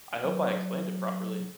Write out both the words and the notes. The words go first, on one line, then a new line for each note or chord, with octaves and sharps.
I hope I explained it properly.
F#3